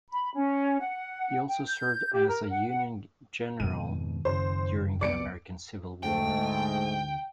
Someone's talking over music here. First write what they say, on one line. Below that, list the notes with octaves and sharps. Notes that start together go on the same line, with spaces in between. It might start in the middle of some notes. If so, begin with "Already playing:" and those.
He also served as a Union general during the American Civil War.
B5
C#4
F#5
G5
G6
G4
A#4
F#5
F#5
F2 G#2 B2 D#3 D#7
F#2 C#3 C5
C2 F2 B3 D5 C#7 D7
D2 G#2 D3 A3 G5